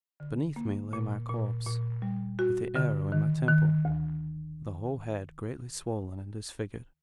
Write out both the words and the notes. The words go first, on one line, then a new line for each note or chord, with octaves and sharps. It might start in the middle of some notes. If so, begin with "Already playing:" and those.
Beneath me lay my corpse, with the arrow in my temple, the whole head greatly swollen and disfigured.
D3
A#3
A#2
A#2
A#2
G3
F#4
D3
D#3
D#3
D2